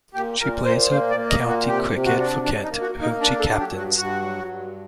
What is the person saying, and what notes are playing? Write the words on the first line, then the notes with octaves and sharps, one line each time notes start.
She plays her county cricket for Kent, whom she captains.
A#2 G4
A#2 A#4
A#2 C5
A#3 C5
D5
A#3
D#5
A#2
F#4
C3 G4
C3
F#4
D4
D4
D#4
A#3
F#4
A#3
D#4
D4 A#4
A4
F#3
G4
G2
F#4
G2 F#4
F#3
G2